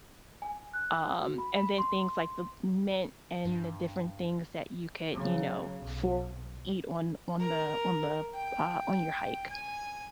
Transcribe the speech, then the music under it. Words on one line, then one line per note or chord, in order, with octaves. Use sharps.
um, and then things like the mint and the different things that you could, you know, for eat on on the on the uh, on your hike.
G#5
F#6
F#4
B5
B5
C6
G2
C#3 F#3
B1
A#4
G5
G#5